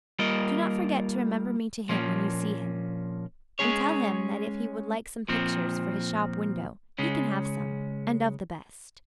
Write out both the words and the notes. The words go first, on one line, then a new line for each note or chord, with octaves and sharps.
Do not forget to remember me to him when you see him, and tell him that if he would like some pictures for his shop-window, he can have some--and of the best.
G3 A#3 F4 A#4 D#5
A#2 F3 A#3 C#4
G#3 C#4 G#4 C#5
A#2 F3 C4
C#3 G#3 C#4